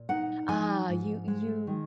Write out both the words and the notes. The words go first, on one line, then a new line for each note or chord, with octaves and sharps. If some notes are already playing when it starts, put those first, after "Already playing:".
Ah, you you
Already playing: A#2
D#4 F#5
F3 G#5
G#2
G#3
D#3